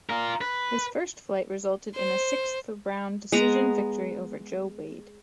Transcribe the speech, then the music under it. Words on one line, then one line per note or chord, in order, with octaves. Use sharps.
His first fight resulted in a sixth-round decision victory over Joe Wade.
F4 A#4
B4
C5
G#3 B3 F#5 A#5